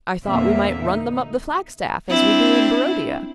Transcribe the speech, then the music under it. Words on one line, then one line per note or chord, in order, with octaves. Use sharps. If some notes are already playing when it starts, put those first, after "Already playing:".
"I thought we might run them up the flagstaff, as we did in Barodia."
E2 A#2 D3 A#3 C4 E5
D#4
C4 D4 E4